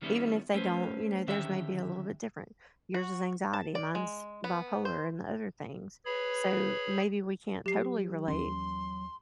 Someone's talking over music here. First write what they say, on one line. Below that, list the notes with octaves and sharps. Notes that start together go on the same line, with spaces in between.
Even if they don't, you know, theirs may be a little bit different. Yours is anxiety, mine's bipolar, and other things, so maybe we can't totally relate
D#3 G3 B3 C#4 E4
A3 C#4 B4 C5
D3 D#3 C#4 G4 E5 G5
F#4
A5
D5
G#3
B3
C5
G#4 B4 C#5 B5
F#3 G4 C7
D#2 E3 C#4 C6